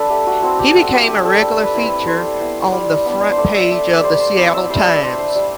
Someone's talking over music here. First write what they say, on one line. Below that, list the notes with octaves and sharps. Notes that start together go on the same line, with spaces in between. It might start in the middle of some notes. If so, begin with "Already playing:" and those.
He became a regular feature on the front page of "The Seattle Times".
Already playing: D4 A4 B4
A3 G4
F#4
C4 E4 F#4
G4
A3 F#5
F#4
G4
D4 G4
A4
G3
B4
C4 E4
B4
G3 C5
B3 E4
G3
B3 D4
C5
A3 D5
E5
D4 E5
D5
G3 C5
C5
C4 E4 D5
E5
G3 C5
B4
D5
D4 C5
C5
G3